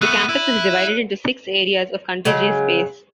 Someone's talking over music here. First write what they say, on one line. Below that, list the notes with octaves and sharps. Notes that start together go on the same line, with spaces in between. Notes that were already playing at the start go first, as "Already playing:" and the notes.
The campus was divided into six areas of contiguous space.
A3 B3 F#6 D#7
E4
C#3 F#3 G#3